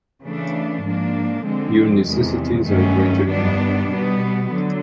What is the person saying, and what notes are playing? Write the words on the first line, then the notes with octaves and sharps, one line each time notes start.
Your necessities are greater than mine.
C#3 E3 A3 D4
G#2 F3 A#3 D4
D3 F3 G#3 C4
E2 C3 D#3 G#3
G2 D#3 F#3 A3 C#4
G2 D#3 G3 B3 D4
B2 G3 B3
D3 F#3